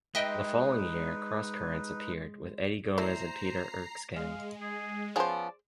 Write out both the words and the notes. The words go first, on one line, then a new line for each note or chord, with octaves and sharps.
The following year "Cross Currents" appeared, with Eddie Gomez and Peter Erskine.
G#3 D#4 B4 D#5 E5 G5
A3 E4 C5 D5 A#5 C7
G#3 F5
G#4
F3 B3 C#4 G#4 C5 D5